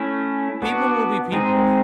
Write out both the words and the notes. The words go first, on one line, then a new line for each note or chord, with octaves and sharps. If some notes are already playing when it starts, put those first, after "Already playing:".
"People will be people
Already playing: A3 C#4 E4
B3 D4 F#4
G#3 C4 D#4 G#4